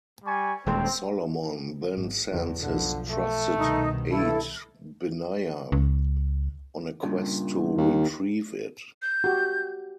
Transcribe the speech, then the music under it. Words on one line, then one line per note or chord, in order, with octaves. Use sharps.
Solomon then sends his trusted aide Benaiah on a quest to retrieve it.
G3 G#5 C#6
D#1 D2 G#3 C4
G#1
F#1 E2
B1 D3 F3
A3
C2 B2 D#3 D#4
G2 E4 A4
C#2
G2 A#2 C#3
D#2
G6
F#4 G4